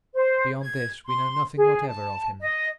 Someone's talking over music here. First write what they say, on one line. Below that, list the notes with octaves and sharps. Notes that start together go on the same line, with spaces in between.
Beyond this we know nothing whatever of him.
C5
G#6
C6
G#4
A5
D#5